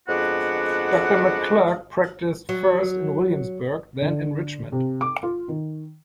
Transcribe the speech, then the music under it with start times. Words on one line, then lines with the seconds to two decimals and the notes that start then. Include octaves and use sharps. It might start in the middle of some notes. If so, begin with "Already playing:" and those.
Doctor McClurg practiced first in Williamsburg, then in Richmond.
0.08 F2 G#3 B3 D4 F#4 F#5
2.49 F#3
4.02 D3
4.72 C3
5.01 D6
5.23 F4
5.48 D#3